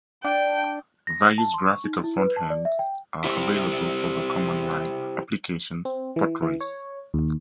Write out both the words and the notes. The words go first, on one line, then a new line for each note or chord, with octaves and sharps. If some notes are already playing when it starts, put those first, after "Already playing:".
Various graphical frontends are available for the command-line application Potrace.
D4 G5
A#6
A5
C6
C#6
D#4
E4
B4
A5
D5
E5
G5
E4 G4 C5
C4
E3
E3
C#5
D#2